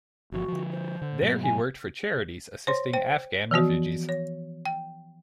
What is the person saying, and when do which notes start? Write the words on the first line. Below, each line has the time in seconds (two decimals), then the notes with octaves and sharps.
There he worked for charities assisting Afghan refugees.
0.32 G1 C#3 F3 F#4
0.48 D3 F3
0.71 C5
1.02 D3
1.21 G#2 B2 F#3
1.43 G#5
2.67 C5 C#5 C6
2.94 C5 G5
3.51 E3 F3 B3 F#4
4.09 C#5
4.66 G5